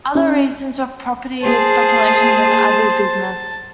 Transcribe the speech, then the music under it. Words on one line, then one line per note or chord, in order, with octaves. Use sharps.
Other reasons were property speculation and agribusiness.
C#4
A#3 G#4 C5 A5